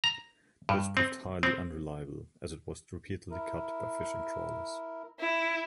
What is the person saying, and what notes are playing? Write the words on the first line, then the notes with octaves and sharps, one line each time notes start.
This proved highly unreliable as it was repeatedly cut by fishing trawlers.
A#5
G2
C4
C4
E4 A#4
E4